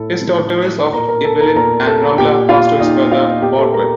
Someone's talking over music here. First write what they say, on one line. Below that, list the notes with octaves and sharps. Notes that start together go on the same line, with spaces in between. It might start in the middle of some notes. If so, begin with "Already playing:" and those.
His territories of Ibelin and Ramla passed to his brother Baldwin.
Already playing: A2 A4
A2
A#2 A#4 A#5
A#4 A#5
A4 A5
A#4 A#5
A#2 A#4 A#5
A4 A5
A#2 G4 G5
F4 F5
A#2 D#4 D#5
F4 F5
A#2 G4 G5
A4 A5
A#4 A#5